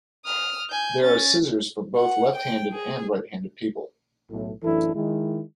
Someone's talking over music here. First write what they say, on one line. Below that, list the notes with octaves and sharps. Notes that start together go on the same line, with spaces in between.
There are scissors for both left-handed and right-handed people.
D#6 F6
G#5 G6
C#4 A6
F#5
G5
G#4
B1 A2 A3
A1 F#2 E3 D4 E4 A4
D#3 G#3 E4